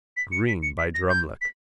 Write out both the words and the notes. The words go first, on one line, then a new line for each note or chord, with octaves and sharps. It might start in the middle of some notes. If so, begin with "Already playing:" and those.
Green by Drumleck.
B6
C#7
B6
C#7
B6
A#6
G6
B6